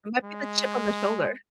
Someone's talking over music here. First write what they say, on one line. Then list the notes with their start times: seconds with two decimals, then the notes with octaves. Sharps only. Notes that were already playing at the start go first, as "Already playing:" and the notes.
It might be the chip on the shoulder.
0.24 G#3